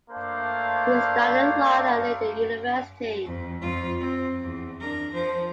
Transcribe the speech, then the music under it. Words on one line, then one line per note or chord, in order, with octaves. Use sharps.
He studied law at Leiden University.
A3 A#3 D4 C5 D5 F5
F2
F2 F4
C4
E2
D4 A#4
F3 C5